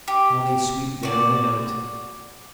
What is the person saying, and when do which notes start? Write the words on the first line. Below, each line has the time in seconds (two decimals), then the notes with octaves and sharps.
How they sweep down and out!
0.08 G4
1.03 F#4 D5